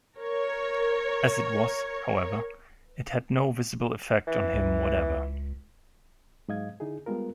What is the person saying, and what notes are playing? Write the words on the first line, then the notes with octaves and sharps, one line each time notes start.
As it was, however, it had no visible effect on him whatever.
A#4 C#5
E3
C#2
G#2 F#3 D#5 F5 G#6
D3 D#4 E4 G#4
G3 G#3 B3 F4 A#4